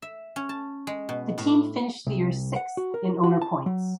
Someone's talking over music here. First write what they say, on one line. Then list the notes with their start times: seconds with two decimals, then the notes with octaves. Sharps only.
The team finished the year sixth in owner points.
0.02 E5
0.36 C#4
0.49 A5
0.87 G#3
1.09 B2
1.38 A2
2.07 C2
2.56 F#5
2.77 F#4
2.94 A#4
3.24 F#4
3.42 A5
3.66 F#3